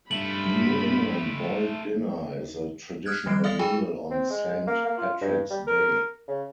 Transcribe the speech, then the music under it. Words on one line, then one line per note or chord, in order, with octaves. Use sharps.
New England boiled dinner is a traditional meal on Saint Patrick's Day.
G2 A3 F4 B5 F#7
D#6 F6 F#6 G#6
D#3 G3 C7 D7
A4 D5 F5 D#6 A6
F4 G#4 G5 G#5 B5
C4
G#3
A#3
A#3
F4
G2
G3
A#4
C#3